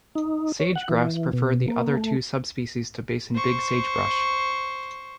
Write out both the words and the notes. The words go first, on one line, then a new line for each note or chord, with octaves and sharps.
Sage grouse prefer the other two subspecies to basin big sagebrush.
D#4
C#5
F#5
E3
B2
A#3
A3
C5 C#6